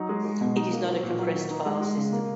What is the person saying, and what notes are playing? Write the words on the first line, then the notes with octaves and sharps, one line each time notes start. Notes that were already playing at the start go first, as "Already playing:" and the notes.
It is not a compressed file system.
Already playing: F#3 D#4
G#3
G#3
B2
D#4
A#3
F#3
A#2
F#3
D#3
D#4
G#3
G#3
C#3
A#3